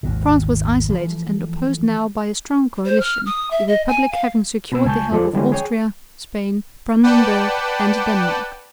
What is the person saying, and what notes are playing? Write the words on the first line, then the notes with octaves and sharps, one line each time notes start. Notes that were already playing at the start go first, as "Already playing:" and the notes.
France was isolated and opposed now by a strong coalition, the Republic having secured the help of Austria, Spain, Brandenburg and Denmark.
G#1 D#2 A#2
E3 F3 A3
C5
F6
D#6
E5
D#5
G#5
F5
B2 B5 E6
C#2 G#5 A5 C#6 G6
E2 F3 A4 D5
D3 E3 G3 G#3 C#4
G#4 C#5 G5
B4 D5 F#5 G5 A5 B5